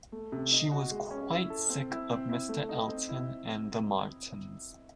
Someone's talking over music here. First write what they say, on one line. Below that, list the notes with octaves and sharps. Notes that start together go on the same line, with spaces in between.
She was quite sick of Mr Elton and the Martins.
A3
C3
D#4
F#4
G#3
C#4
E4
A4
C4
E4
C4
E4
A3
D#4
C4
E4